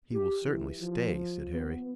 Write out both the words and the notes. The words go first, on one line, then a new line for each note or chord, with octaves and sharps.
"He will certainly stay," said Harry.
G4
E3
F3
B3